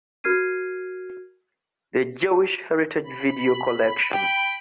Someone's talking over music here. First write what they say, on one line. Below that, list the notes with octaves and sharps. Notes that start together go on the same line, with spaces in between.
The Jewish Heritage Video Collection.
F#4 A#4 F6 G#6 C7 D#7
B5
G5